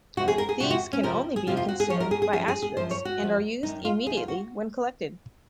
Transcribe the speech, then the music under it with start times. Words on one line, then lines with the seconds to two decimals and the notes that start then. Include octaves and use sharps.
These can only be consumed by Asterix, and are used immediately when collected.
0.17 F2 C3 F3 F#4
0.28 G#4
0.38 A#4
0.49 G#4
0.60 F2 C3 F3 F#4
0.71 F#4
0.93 C#4
1.03 F2 C3 F3 A#4
1.36 G#4
1.47 F2 C3 F3 F4
1.57 F4
1.68 F#4
1.80 G#4
1.90 F3 C#5
1.94 F#2
2.00 A#4
2.11 G#4
2.22 G#4
2.33 F#2 F3 G#4
2.48 G#4
2.62 G#4
2.77 F#2 F3 C5
2.91 C#5
3.05 F#4
3.20 F#2 F3
3.63 F#2 D#3 D#4
3.85 F4
4.06 F#2 G#4
4.10 D#3
4.17 F4
4.28 F#4